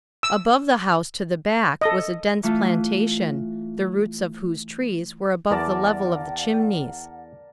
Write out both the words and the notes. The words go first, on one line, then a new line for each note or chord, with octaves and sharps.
Above the house to the back was a dense plantation, the roots of whose trees were above the level of the chimneys.
E6
A4 D#5
E3 A3 F4
E2 A#4 D5 F#5 A5